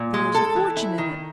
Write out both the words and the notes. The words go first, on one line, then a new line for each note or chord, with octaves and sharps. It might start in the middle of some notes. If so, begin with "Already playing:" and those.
"There's a fortune in it!"
Already playing: A#2
G#3
A4
E3
E4
D#3